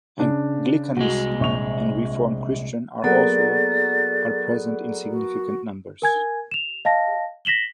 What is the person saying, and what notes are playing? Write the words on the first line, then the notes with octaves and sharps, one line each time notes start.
Anglicanism and Reformed Christian are also are present in significant numbers.
C#3 D4
C2 G#3 F#4
A#1 C#6 F7
F#3 A#3 B3 G#4 A4 D5 A6
F#4
A#4 G#5 G#6
E7 F7
D#5 F5 A5 A#6
A#6 B6 E7 F#7 G7